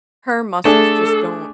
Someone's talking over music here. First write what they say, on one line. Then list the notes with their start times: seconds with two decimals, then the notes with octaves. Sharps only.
Her muscles just don't
0.65 A3 D4 G#4 A4